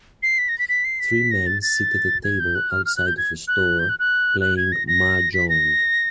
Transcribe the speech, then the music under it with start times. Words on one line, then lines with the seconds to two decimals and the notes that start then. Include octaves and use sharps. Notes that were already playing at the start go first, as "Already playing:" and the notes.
Three men sit at a table outside of a store, playing Mahjong.
0.23 C7
0.38 B6
0.49 A#6
0.59 B6
0.69 B6
0.85 C7
1.00 B6
1.31 A#6
1.46 A6
1.62 A6
2.24 G#6
2.40 G6
2.55 F#6
2.71 F6
2.86 F6
2.97 F#6
3.07 G6
3.17 G#6
3.48 F#6
3.79 G6
3.89 F#6
3.99 F#6
4.41 F#6
4.57 G#6
4.72 A#6
4.88 A#6
5.34 B6
5.49 A#6